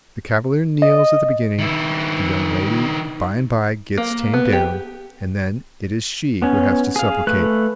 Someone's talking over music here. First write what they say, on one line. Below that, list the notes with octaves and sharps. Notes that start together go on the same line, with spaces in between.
The cavalier kneels at the beginning, the young lady by and by gets tamed down, and then it is she who has to supplicate.
D#5
D#3 E4
A#3
B3
G4
B3 C#4
G#4 F5
A3 B4 F#6